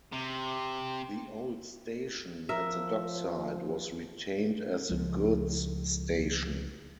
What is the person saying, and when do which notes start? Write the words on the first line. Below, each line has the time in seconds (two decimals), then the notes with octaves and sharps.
The old station at the dockside was retained as the goods station.
0.13 C3
2.49 F3 A#4 E5
4.89 C#2 F3 G#3